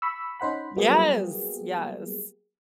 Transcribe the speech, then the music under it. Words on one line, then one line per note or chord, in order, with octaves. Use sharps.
Yes, yes,
B5 C#6 E6
C#4 D#4 C5 F#5 B5
F#3 G3 A#3 B3 G4 G#4